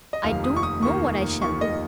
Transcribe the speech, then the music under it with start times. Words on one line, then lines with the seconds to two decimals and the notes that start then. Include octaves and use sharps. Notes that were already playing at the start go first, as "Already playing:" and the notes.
I don't know what I shall do.
0.13 D#5
0.24 F1 D#2 D#3 A#3 F5
0.44 D#6
0.57 C#6
0.63 D#6
0.83 F1 D#2 D#3 A#3 C#6
1.41 F1 D#2 D#3 A#3 C#6
1.61 D#5